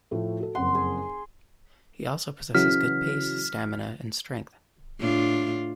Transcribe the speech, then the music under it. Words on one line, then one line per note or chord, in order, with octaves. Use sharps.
He also possesses good pace, stamina and strength.
A2 F3 A3
F#4 A4
F#1 F2 F#5 C6
G#4
C#3 E3 F#3 F6 B6
A2 D4 F4